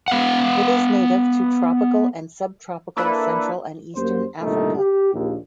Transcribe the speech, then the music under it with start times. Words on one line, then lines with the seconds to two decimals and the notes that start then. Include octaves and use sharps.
It is native to tropical and subtropical central and eastern Africa.
0.08 B3 F5 F#5
2.97 A#3 D4 E4 A4 B4
3.95 F#2 A#3 G4 C5
4.40 C2 G2 A#2 D3 D#3 A3
4.77 G4
5.13 A#1 D#2